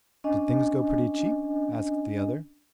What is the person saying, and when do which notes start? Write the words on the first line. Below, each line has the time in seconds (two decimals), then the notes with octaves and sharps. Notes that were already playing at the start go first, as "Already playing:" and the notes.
'Did things go pretty cheap?' asked the other.
0.24 C#4 D4 D#5 G#5